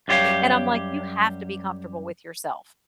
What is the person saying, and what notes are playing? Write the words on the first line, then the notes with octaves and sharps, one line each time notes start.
and I'm, like, you have to be comfortable with yourself
F#2 G3 F4 G4 C#5 F5